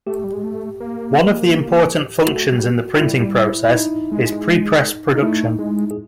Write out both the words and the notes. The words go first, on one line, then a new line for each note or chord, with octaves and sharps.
One of the important functions in the printing process is prepress production.
A3 G4
G3
G#3
A3
A#3
A3 F#4
G3
F4
G3 E4
E4
E4
D#4
G#3
D#4
A3 E4
G#3
G#4